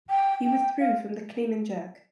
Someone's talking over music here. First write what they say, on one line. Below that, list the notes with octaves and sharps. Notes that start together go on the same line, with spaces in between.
He withdrew from the clean and jerk.
G5
G5
F5